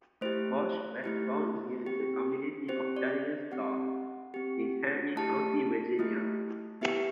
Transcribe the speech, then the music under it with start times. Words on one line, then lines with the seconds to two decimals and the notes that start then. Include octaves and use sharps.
Burch was born near the community of Dyer's Store in Henry County, Virginia.
0.21 A3 E4 G4 C5
1.04 A3 E4 G4
1.86 C4 G4
2.69 C4 G4 C5
2.97 D5
3.51 C4 G4 F#5
4.34 C4 G4
5.16 A3 E4 G4 A5
5.99 A3 E4 G4
6.81 B3 E4 G4 E5